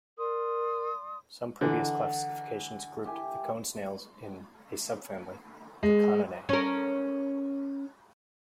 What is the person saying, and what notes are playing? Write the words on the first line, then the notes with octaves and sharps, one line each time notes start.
Some previous classifications grouped the cone snails in a subfamily, the Coninae.
A#4 D5 C6 D#6
D3 E3 D#5 F#5 A#5
G4 E5 G#5
G#3
C#4 A#4